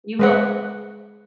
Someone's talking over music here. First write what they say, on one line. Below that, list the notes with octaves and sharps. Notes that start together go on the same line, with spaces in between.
You will.
G#3 B4 F#5